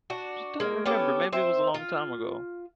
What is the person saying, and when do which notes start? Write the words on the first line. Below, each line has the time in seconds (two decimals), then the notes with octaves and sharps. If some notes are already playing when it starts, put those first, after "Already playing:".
just don't remember, maybe it was a long time ago?
0.10 D4 F#4
0.60 G#3 A#3
0.85 B3 C#4 G4 A4
1.32 C4 C5 E5
1.74 F4